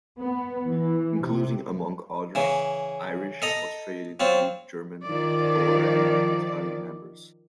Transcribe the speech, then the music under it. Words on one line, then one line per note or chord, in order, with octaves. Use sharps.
Including among others Irish, Australian, Greek, German, Boer and Italian members.
B3
E3
C3
C#3 E3
A4 D#5 A#5
F#3 C4 F4
D#3 F3 D5